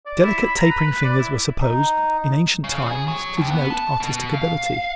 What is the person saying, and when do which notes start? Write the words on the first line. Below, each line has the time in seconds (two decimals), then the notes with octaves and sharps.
Delicate tapering fingers were supposed in ancient times to denote artistic ability.
0.06 D5
0.23 E4
0.43 B5
0.56 A#5
0.70 B4
0.87 B4
1.04 D5
1.18 E4
1.61 D#4
2.64 C#3
2.87 G#4
3.08 F#3
3.37 D#2
3.51 B3
3.70 A5
4.00 B2
4.34 F5